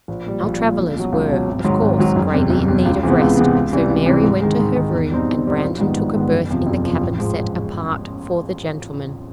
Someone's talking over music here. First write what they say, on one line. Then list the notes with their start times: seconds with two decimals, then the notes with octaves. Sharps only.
Our travelers were, of course, greatly in need of rest; so Mary went to her room, and Brandon took a berth in the cabin set apart for the gentlemen.
0.08 A#1
0.26 A#2 G3
0.43 A#1
0.60 A#2 G3
0.78 C#2
0.96 B2 F#3
1.12 C#2
1.29 B2 F#3
1.47 G#1
1.65 G#2 D#3 F#3
1.81 G#1
1.99 G#2 D#3 F#3
2.16 F#1
2.34 E2 C3
2.50 F#1
2.68 E2 C3
2.85 C#2
3.03 C3 E3 G#3 B3
3.21 C#2
3.37 C3 E3 G#3 B3
3.55 C#2
3.72 C3 E3 G3
3.90 C#2
4.06 C3 E3 G3
4.24 G#2
4.41 D#3 G#3
4.59 G#2
4.76 D#3 G#3
4.94 E2
5.11 B2 G3 C4 D#4
5.29 E2
5.45 B2 G3 C4 D#4
5.63 A#1
5.80 G#2 D#3 G3 B3
5.98 A#1
6.15 G#2 D#3 G3 B3
6.32 F#1
6.49 E2 C3 F3
6.67 F#1
6.84 E2 C3 F3
7.01 A1
7.18 G#2 F3 G#3